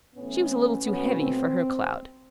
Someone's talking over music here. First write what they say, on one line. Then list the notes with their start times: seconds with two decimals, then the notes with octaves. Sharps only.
She was a little too heavy for her cloud.
0.16 A2 E3 A3 B3 C#4
0.85 B2 F#3 A3 B3 C#4
1.18 C4